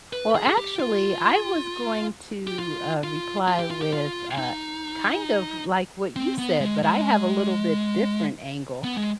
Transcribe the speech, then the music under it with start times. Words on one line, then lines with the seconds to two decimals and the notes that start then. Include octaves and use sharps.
Well, actually, I was going to, uh, reply with, uh, kind of like what you said, but I have a little bit different angle.
0.13 B4
0.36 G#4
0.47 G#4
0.58 G4
0.80 F4
2.47 G4
2.59 F4
3.04 F4
3.48 F4
3.59 G4
3.70 F4
3.82 G4
3.93 F4
4.38 D#4
6.16 C4
6.39 B3
6.61 G#3
6.83 G#3
8.84 B3
8.96 G#3